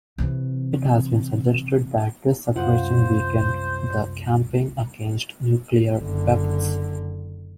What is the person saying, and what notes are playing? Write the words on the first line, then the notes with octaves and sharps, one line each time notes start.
It has been suggested that this separation weakened the campaign against nuclear weapons.
C3 E3
C2 F#2 F4 C5 F#5
F#1 D3